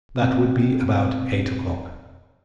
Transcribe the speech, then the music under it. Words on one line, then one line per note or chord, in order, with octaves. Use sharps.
That would be about eight o'clock.
B2 C4